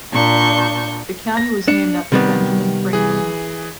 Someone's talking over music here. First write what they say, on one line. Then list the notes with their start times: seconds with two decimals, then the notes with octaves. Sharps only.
The county was named after Benjamin Franklin.
0.13 A#2 D4 C#6 G6
1.37 A#6
1.68 D4 C#7
2.12 C3 D#3 G3 B3
2.93 E3 G#4